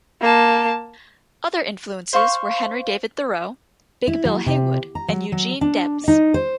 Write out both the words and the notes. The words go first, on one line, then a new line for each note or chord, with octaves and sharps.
Other influences were Henry David Thoreau, Big Bill Haywood and Eugene Debs.
A#3 A5
C5 F5 C#6
E4
F#3
C3
A#5
F#3
F#3
D4
D#4
C5